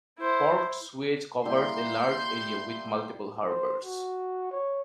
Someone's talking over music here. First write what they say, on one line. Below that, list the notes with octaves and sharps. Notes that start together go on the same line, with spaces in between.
Port Suez covers a larger area with multiple harbours.
E4 C5
G3 A#3 E4 C6 G6
C5
F#4
C#5